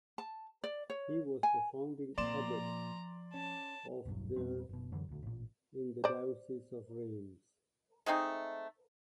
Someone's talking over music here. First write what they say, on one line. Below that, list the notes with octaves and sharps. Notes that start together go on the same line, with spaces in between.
He was the founding abbot of the in the Diocese of Rheims.
A5
D5
C#5
G#5
A#2 F3 A#3 C4 D5 A#5 C6 E7
C#4 A5
E1 B1 G2 F#3
E2 A#2 G3 C4
F#1 B2
F#2 D3 E3 F#3
D#1 D2
A1 A#2
C5 D5
G#3 A3 C4 D#4